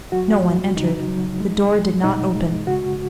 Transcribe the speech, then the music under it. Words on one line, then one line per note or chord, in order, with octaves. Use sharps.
No one entered; the door did not open.
F#3 F#4
F#3
C#3 D#4
F#3
G#3
G#3
B2 D#4
G#3
C#3 F#4